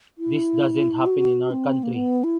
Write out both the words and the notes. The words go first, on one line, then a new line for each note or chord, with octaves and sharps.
This doesn’t happen in our country.
E4
F#4
C4
A#3
B3
E4